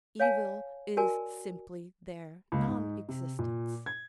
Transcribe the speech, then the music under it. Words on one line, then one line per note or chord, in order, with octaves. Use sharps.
Evil is simply their nonexistence.
C#5 F5 G#5 A5
F#4 A#4 D5 G#5 A5
C#2
G#2
C3
A#2
G#6